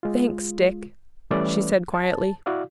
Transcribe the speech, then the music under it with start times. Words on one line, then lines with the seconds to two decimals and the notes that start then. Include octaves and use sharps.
"Thanks--Dick," she said quietly.
0.03 G#3 F4
1.31 E3 G3 A3 C#4 B4 D5
1.94 A5
2.46 E4 F#4 D5 F5